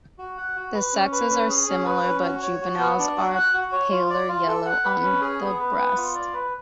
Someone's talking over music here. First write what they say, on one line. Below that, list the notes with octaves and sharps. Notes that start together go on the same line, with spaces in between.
The sexes are similar, but juveniles are paler yellow on the breast.
F#4
F#5
F#4
B4
C#4
B4
C#4
G#4
C#4
B4
C#4
F#4
C#5
F#4
B3
D4
F#4
F#5
F#4
C#5
F4
D5
F4
A4
F#5
B4
C#4
G#4
B3
B4
B3
F4
D5
B4